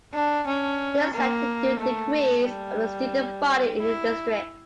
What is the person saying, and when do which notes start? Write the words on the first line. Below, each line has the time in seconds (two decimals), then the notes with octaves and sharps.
This led to the decrease of the student body in the district.
0.14 D4
0.47 C#4
1.14 A#3
1.80 A3
2.46 G3
3.79 E4